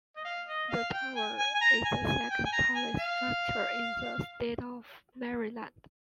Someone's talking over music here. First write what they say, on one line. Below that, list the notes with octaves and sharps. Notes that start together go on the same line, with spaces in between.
The tower is the second tallest structure in the state of Maryland.
D#5
F5
D#5
F5
G5
G#5
G#5
G#5
A#5
G#5
G#5
G5
G#5
A#5
G#5
F5